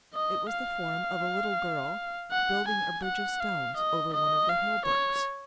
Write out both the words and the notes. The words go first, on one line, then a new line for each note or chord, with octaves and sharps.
It was the form of a little girl, building a bridge of stones over one of the hill-brooks.
D#5
F5
F#5
G#5
F#5
F5
D#5
D#5
F5
C#5